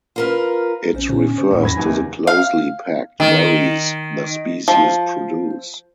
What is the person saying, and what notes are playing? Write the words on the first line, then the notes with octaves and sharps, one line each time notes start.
It refers to the closely packed berries the species produce.
F4 A#4 B4
A#1 C#4 C5
A#2 D3 C#4
C5
D2 A2 D#3
E2 G#2 F#3 B5 G#6 A#6
D#2 C3 E3 D#4 G#5
F5
D#3
F3